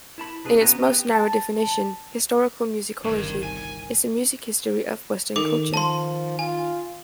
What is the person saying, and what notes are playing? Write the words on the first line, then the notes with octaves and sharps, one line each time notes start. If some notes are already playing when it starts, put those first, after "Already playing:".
In its most narrow definition, historical musicology is the music history of Western culture.
E4 A5 B5
C3 D4 G#4 B4
B3 C#4 F#4 A#5
B3 G4 G5
A5
G1 C2 G2 D#3
G#5
D#3 A4 D6
F3 A5 C6
F4 G#5